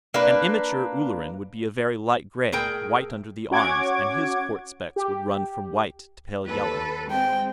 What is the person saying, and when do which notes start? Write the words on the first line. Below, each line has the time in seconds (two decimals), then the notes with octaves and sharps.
An immature Ulleran would be a very light gray, white under the arms, and his quartz-specks would run from white to pale yellow.
0.14 A#3 D4 B4
2.52 A2 G#4 A#4 G5
3.51 C#4 F#4 C#5 F#5 D6 G#6
4.96 G4
6.47 D#2 A4 B4
7.11 G#3 C4 G5